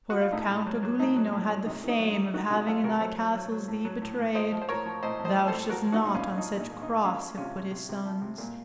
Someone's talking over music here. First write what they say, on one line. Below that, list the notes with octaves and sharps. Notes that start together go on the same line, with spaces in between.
For if Count Ugolino had the fame Of having in thy castles thee betrayed, Thou shouldst not on such cross have put his sons.
F#4
F4
A2 D#4
A2
F#3
F#3
A2 D#4
F#3
A2
F#3
C3 D#4
D#3 D#4
F#3
D#4
D#3
D#3 D#4 F#4
C3 D#4 F#4
F#3 F4 A4
C3 F#4 A#4
F#3 A4 C5
F#3
F#3
F#3
A2
F#3
A2
A2
A2 C5 D#5
F3
C5
A2 A#4 C#5
F3
A2 C5 D#5
A2
C5 D#5
F3
A4 C5
A2
F3 F#4 A#4
F3
D#4 F#4
A#2 D#4
C#4 F4
F3
F3 D#4
A#2
D#4
A#2
D#4
A#2
F3 C#4 F4
F3
C3 C#4 F4
C3
C3
C3
F3
C3
A#2